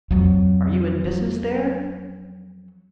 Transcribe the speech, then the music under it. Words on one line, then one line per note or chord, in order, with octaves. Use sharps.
"Are you in business there?"
F2 F#3